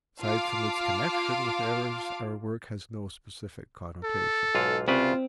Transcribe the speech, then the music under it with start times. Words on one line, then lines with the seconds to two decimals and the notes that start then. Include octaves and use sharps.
Aside from its connection with errors our work has no specific connotation.
0.22 F4 F5 A5 D6
4.04 A4
4.55 B1 G#2 F4
4.88 C2 C#3 C4 F4 B4